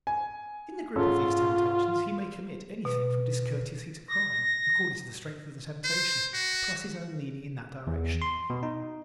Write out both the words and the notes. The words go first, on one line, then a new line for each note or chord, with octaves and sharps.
In the grip of these temptations he may commit anything from discourtesy to crime--according to the strength of the temptation plus his own leaning in that direction.
G#5
G#2 C#4 F4 A4
B2
A#6
C5
F#4
E2
C6
B2
D#4